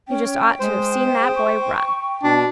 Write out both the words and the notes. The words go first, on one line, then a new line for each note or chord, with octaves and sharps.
You just ought to have seen that boy run!
C#4 G5
G#3 C5
G#4
C#6
B2 D4